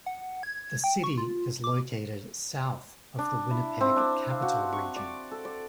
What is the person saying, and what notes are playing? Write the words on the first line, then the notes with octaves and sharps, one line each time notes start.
The city is located south of the Winnipeg Capital Region.
F#5
G#6
G5
C#6
F4
D6
D4
E4
C4
D4
F5
F#4
C#6
D5
A4
D5